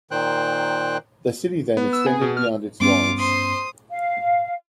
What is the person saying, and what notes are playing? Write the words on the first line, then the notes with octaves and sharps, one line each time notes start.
The city then extended beyond its walls.
A#2 D#3 C5 G5 F#6
B3
E6
G#4
B2
F6
G2 B3 C#4 F4 D6
C5 C6 D#6
F5